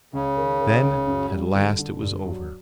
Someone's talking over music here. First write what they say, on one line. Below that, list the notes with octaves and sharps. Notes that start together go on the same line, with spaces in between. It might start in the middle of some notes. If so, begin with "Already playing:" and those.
Then at last it was over.
C#2 C#3
D#3
D#3
C#2
F#2
G3
D3
D3
G2
F#3